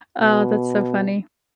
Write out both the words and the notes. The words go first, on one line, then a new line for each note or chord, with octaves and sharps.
Oh, that's so funny.
B2